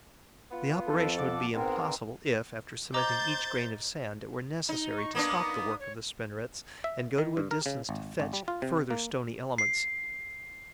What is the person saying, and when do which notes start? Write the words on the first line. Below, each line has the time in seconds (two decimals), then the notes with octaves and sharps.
The operation would be impossible if, after cementing each grain of sand, it were necessary to stop the work of the spinnerets and go to a distance to fetch further stony elements.
0.52 B3 F4
0.86 F2 A4
1.17 F3 F#5 D6
1.54 G#2 B3 C4 A#4
2.94 C5 D#5 A#5 D6 G6 A6
4.69 D#4
4.98 C#6
5.15 A#3 B3 D4 D#6
5.80 C#5
6.84 E5
7.18 D#3
7.37 G2
7.51 A#4
7.66 C#3
7.89 G#1
8.20 G#1
8.33 G3
8.48 F4
8.62 C3
8.91 A#3
9.58 C7